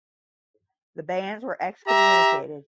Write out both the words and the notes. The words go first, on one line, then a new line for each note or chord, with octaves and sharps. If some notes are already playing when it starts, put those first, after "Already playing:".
The bands were excommunicated.
G4 E5 A#5